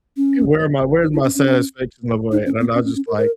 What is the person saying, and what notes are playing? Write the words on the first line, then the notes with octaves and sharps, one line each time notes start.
"Okay, where am I, where's my satisfaction level at?" and I just like,
C#4
D#4
E4
C#4
C#4
D#4
C#4
B3
C#4
C#4
C#4
A#4
A#4